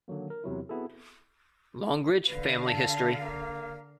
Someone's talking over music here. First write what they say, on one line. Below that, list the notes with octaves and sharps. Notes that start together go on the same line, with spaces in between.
Longridge Family History.
D3 D#3 F#3 A#3
A#4
E2 C3 F#3 E4
B3 C4 E4 F#4 G#4 A4
D3 B4 F5
A5
A#3